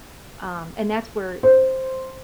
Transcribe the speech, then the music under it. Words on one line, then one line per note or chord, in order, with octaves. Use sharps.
Um, and that's where
C5